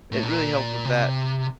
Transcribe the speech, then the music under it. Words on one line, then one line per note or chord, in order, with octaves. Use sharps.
it really helped with that.
A2
A#2
C3